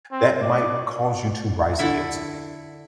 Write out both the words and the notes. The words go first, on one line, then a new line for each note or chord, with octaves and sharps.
that might cause you to rise against me.
C4
D5
D3 E4 E5